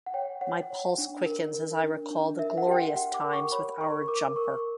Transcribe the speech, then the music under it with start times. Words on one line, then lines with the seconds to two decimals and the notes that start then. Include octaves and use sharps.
My pulse quickens as I recall the glorious times with our jumper.
0.06 F#5
0.14 C#5 G5
0.41 C#5 F#5
0.70 C#5
0.98 D4
1.26 A#4
1.55 A#4
1.83 D4
2.11 D4
2.39 A#4 E5
2.58 F#5
2.68 G4 G5
2.77 F#5
2.96 G4 F#5
3.14 D6
3.24 A#4
3.33 C#6
3.52 C#5 B5
3.80 A#4 C#6
4.08 A#4 D6
4.36 A#4 C#6